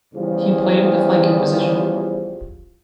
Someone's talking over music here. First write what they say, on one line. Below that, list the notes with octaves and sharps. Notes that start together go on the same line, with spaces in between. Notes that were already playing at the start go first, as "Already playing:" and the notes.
He played at the flanker position.
E2 C#3 F3 G3